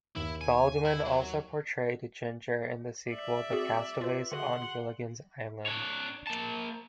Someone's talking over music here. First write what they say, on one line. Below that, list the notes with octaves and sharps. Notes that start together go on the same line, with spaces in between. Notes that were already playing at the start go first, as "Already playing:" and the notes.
Baldwin also portrayed Ginger in the sequel "The Castaways on Gilligan's Island".
D#2 E4
G#5
E4
F#3
D5 E5
C4 F#4 G#4
F4 B4
D3 F#4 G#4 F#5 C6
D4 C#5
A#3 A5